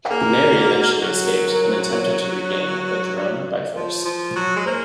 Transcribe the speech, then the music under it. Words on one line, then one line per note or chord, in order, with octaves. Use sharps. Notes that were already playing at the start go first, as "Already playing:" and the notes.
Mary eventually escaped and attempted to regain the throne by force.
A#3 G#4
F#4
F#3 F#4
A#4
A#4
C5
C#5
F3
F3
F#3
G#3
A#3 C5